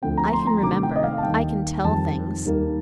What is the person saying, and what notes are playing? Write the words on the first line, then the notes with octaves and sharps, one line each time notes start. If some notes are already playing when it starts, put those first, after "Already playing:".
I can remember; I can tell things!
D2 D3 F3 A3 C4 G5
A#5
C6
A#5
C3 D#3 A3 D4 D6
G5
D#5
F5
A5
D#2 D#3 G3 G5
F2 D#3 G3 A5
D#2 D#3 G3 A#3